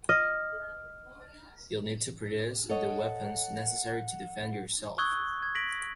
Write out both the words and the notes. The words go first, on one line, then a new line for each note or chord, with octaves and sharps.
You'll need to produce the weapons necessary to defend yourself.
D#5 F6
A4 C#5 D#5 F#5
C#6 D#6 E6 F#6 G#6 G7
G#6
A#6 B6 D7 F#7